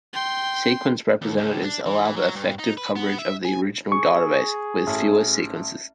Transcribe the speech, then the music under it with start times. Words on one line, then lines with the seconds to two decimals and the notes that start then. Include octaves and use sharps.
Sequence representatives allow the effective coverage of the original database with fewer sequences.
0.13 G5 C6
1.22 D#2
1.38 C#2
1.64 D4
1.86 E3
2.16 F#3
2.36 G2
2.59 D#4
2.77 B4
2.96 B3
3.19 E5
3.45 G#5
3.92 G#4 C#6
4.87 A1